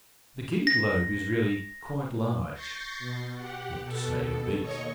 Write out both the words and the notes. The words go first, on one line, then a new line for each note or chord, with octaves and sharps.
The Giddy Globe is really quite large, not to say obese.
A#6
C#6 G6 A6 A#6 C7
B2
G4 F#5
B2 A4
D#2 C#5 D#5 C#6 C#7